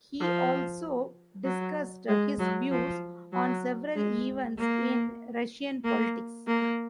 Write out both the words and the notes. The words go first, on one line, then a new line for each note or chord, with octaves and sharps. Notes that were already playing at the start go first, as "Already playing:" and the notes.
He also discussed his views on several events in Russian politics.
F3
F#3
G#3
F#3
F3
F#3
G#3
A#3
A#3
A#3